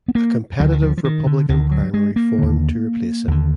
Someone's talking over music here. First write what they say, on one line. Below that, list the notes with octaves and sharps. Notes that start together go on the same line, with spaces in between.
A competitive Republican primary formed to replace him.
B3
A#3
D2 D3 F#3
D#3
F3
F3
D#3
D3
D2 D3 D#3
F#3
G#3
A#3
D#2 D3
D#2 D3